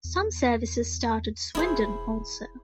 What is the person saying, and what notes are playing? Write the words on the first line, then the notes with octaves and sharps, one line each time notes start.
Some services start at Swindon also.
E2
E1 E4 G#4 C5